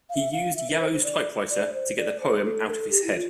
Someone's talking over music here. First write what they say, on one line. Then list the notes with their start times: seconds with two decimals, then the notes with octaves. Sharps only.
He used Yarrow's typewriter to get the poem out of his head.
0.10 F5
0.14 E5
0.32 F5
0.56 E5
0.70 A#4
0.79 C5
0.93 C5
1.03 D5
1.50 D5
1.73 C5
1.97 D5
2.20 C5
2.44 A4
2.68 A#4
2.72 A4
2.90 G4
3.04 E4
3.14 F4